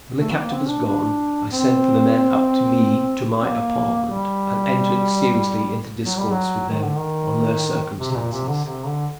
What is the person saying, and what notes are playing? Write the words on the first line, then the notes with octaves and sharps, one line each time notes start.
When the captain was gone, I sent for the men up to me to my apartment, and entered seriously into discourse with them on their circumstances.
A3
C4
A#3
C4
D4
D4
C4
C4
A#3
G3
F#3
G3
F#3
D#3
D3
D#3
C3
C3
A#2
C3
D3
C3
D3